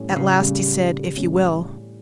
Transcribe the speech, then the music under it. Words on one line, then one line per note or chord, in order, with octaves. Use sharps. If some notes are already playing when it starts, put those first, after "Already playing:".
At last he said, "If you will."
Already playing: A2 G3 C#4
D3
C#3
A2 G3 C#4
A2 G3 C#4